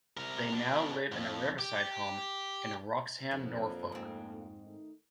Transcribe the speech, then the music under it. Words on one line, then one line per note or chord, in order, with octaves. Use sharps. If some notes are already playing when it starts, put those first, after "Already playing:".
They now live in a riverside home, in Wroxham, Norfolk.
C3 A#4
B2 D4
F2 G#2
G4
F2 F3 F#3 A#3 D4
G#2 D3 A3 A#3 C4
D#3 A3 D#4